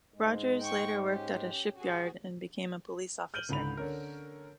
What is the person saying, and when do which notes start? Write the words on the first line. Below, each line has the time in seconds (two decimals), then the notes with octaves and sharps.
Rogers later worked at a shipyard, and became a police officer.
0.14 G#2 G#3
0.61 G5 C#6
1.08 C#4 G4
1.76 F#4 G#4
3.34 F6 G6 D7 D#7 F#7 G7
3.49 C#2 G#2 D3 B5 F7
3.77 D3 C#4 A#4